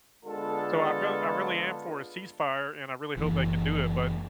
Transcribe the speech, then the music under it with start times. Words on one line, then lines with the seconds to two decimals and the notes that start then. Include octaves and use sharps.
So I real I really am for a ceasefire, and I really hope they can do it. But,
0.24 D3 G#3 B3 F4 A4
3.17 F#1 E3